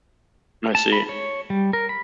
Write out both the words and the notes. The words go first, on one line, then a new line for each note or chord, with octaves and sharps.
I see.
A5
B5
C#5
G3
A#4
B5